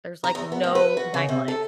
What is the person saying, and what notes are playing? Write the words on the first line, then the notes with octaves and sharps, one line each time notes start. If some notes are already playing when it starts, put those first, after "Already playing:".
There's, like, no nightlife.
A#5
E2
B3
A2
B4
F#4
C#3
C3
A4